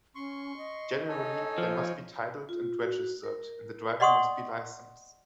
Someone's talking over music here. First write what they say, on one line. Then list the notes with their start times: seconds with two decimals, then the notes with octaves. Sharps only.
Generally, they must be titled and registered, and the driver must be licensed.
0.15 C#4 C6 C#6
0.57 D#5
1.09 D#4 A4 C#5 G#5
1.58 F3
2.49 F4
2.82 F#4
3.24 A#4
4.00 D5 D#5 F#5 C6 C#6 D#6